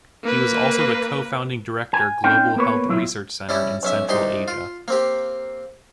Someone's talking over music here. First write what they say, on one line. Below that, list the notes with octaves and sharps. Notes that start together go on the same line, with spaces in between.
He was also the co-founding director Global Health Research Center in Central Asia.
A#3 B4
G#5
C4 C#4 D#4 C5 F5 G5
A#3 B3 B4 C#5
B1 A2 F#3 E4 F4 E5
G3 C#4 E4
B1 C#4 E5
C2 D#4 G4 C6
F4
A#3 C4 G4